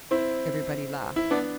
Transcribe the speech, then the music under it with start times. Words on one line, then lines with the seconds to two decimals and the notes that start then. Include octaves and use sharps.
Everybody laughed.
0.11 C4 E4
1.16 E4
1.31 B3 D4